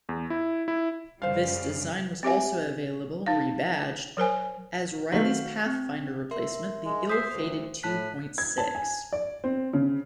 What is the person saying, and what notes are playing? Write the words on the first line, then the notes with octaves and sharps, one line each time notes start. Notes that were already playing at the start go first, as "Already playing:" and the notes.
This design was also available, rebadged, as Riley's Pathfinder replacement, the ill-fated Two-Point-Six.
E2
E4
E4
F#2 C#3 G3 C5 F5
C4 G4 E5 G#5
D#4 F5
F#3 A#4 C5 G#5
D#3 F#3 A3 F#4 C5 F5
C4
A#4 E5 C6
G#3
C5 E5 D#6 C7
D2 C5
A2 A5 F#6 B6
G#6
A5
G#5
D5
C4
C#3